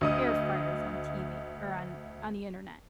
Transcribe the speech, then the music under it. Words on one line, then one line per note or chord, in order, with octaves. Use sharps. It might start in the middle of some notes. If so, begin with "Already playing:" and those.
air fryers on TV or on on the Internet,
D2 D#5 D#6